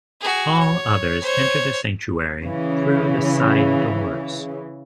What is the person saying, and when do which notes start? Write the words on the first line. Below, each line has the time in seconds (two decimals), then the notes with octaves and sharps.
All others enter the sanctuary through the side doors.
0.21 F#4 G#4
0.59 C#5
1.22 C5 C#5
2.42 C#3 E3